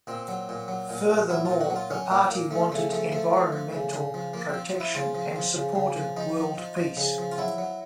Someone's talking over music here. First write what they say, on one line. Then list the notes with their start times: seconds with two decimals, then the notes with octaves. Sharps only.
Furthermore, the party wanted environmental protection and supported world peace.
0.07 A#2 C4
0.28 F#3
0.49 A#2
0.68 F#3
0.89 A#2
1.10 A#2
1.29 F#3 E4
1.45 A#2 F4
1.61 F#4
1.70 F#3
1.76 F4
1.91 F#3 C#4
2.10 A#2 A#3
2.30 A#2 A#3
2.51 F3 A3
2.72 C#3 A3
2.92 F3 A3
3.12 F3 A3
3.33 F3
3.52 F3
3.73 C#3
3.93 C#3
4.14 F3
4.34 F3 A#3
4.49 F3 C4
4.74 F3
4.80 E4
4.94 C#3 F4
5.15 F3
5.36 F3
5.55 C#3
5.75 C#3
5.96 F3
6.17 F3 D#4
6.37 F3
6.58 F3
6.77 F3
6.97 C#3
7.18 F3
7.32 F4
7.38 F#3 E4
7.58 F#3